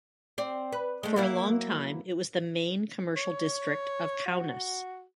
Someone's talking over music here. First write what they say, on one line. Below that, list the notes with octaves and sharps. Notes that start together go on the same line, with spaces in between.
For a long time it was the main commercial district of Kaunas.
C4 D5
B4
G#3 A3
F#3 A#3 E4
C#5
F#4